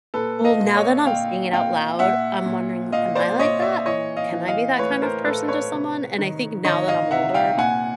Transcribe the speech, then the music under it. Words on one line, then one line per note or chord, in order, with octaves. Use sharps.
Well, now that I'm saying it out loud, I'm wondering, am I like that? Can I be that kind of person to someone? And I think now that I'm older
A#2 A4 B4
D#5 F5
A#2
C#5 D#5
A#2 F5 G5
A#2 F5 G5
A#2 E5 F#5
A#2
A#2 D#5 F5
C5 D5
A#2 C#5 D#5
D5 E5
E3 C#5 D#5
D#5 F5
E3
D#5 F5
A2 B4 C#5
A#4 C5
A2 A4 B4
B4 C#5
C3
D#3
D#3 C#5 D#5
D#5 F5
C3 E5 F#5
F5 G5
A#2 F#5 G#5